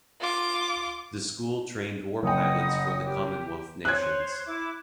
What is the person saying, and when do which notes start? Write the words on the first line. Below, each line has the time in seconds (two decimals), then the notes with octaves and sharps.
The school trained war pilots for the Commonwealth nations.
0.20 F4 D6
2.23 F#1 D#5 F#5 G5 D#6
3.03 G4
3.85 C5 C#5 F#6 G#6
4.46 E4 D6